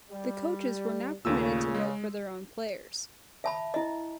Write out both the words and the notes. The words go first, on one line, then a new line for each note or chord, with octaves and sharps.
The coaches were not permitted to vote for their own players.
G3
D#2 A#2 C#3 A3 E6
G#3
E5 A5 B5
E4 D#5